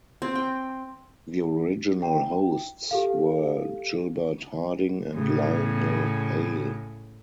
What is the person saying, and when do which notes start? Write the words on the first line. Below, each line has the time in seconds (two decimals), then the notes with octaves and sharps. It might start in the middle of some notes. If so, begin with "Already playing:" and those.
The original hosts were Gilbert Harding and Lionel Hale.
0.22 C4
0.35 G5
2.03 G5
2.91 G4 A4 F5
5.14 A2 C#3